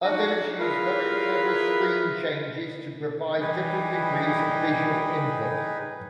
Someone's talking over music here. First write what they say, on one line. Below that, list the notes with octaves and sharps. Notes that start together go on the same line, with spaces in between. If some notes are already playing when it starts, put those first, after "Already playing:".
Others used very clever screen changes to provide different degrees of visual input.
D4 D#4 F#4
E4 F4 G#4 A#4 B4 F5
E3 G3 D#4 G#4 B4